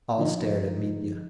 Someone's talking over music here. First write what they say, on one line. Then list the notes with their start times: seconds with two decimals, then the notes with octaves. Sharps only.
All stared at Mitya.
0.18 D3 F3 D#4